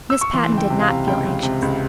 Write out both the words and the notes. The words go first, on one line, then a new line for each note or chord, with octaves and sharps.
Miss Patten did not feel anxious.
E6
C#6
E3 C6
C#2
G5
C3
F5
C3
C#2 G5
C#2
C3
C#2